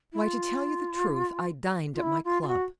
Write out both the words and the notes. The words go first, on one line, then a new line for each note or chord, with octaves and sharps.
'Why, to tell you the truth, I dined at my club.
E4
F4
F4
E4
F4
F4
F#4